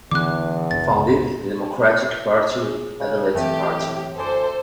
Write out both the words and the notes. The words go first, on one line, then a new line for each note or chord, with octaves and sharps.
He founded the Democratic Party Adilet party.
E2 D3 E3 B3 D6 F#6
G1 C#2 A6
G#4
C#3
F#2 E3 A3 C4 G4
A2
D2 A4 C5 G#5 D6